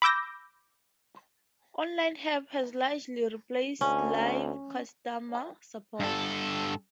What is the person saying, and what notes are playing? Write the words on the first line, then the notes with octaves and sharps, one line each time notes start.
Online help has largely replaced live customer support.
B5 D6 E6 G6 A#6
D2 C#4
G2 A4